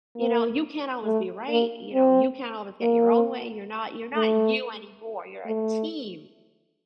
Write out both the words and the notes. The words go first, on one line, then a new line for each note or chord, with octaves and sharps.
You know, you can't always be right, you know, you can't always get your own way, you're not you're not you anymore, you're a team,
A#3
A3
A#3
C4
A#3
A3
A3